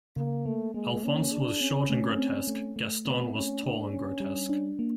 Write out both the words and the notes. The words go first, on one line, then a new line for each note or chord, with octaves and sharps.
Alphonse was short and grotesque; Gaston was tall and grotesque.
C#3 A#3
A3 A#3
G#3 A#3
A#3 C#4
D4 G#4
C4 C#4
A3
C4
A3
A3
B3 C4
A3 C#4
A#3 D4
C#4 D4
G3
D4
A#3